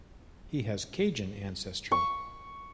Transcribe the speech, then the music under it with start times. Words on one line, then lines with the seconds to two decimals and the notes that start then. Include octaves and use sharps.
He has Cajun ancestry.
1.92 C#6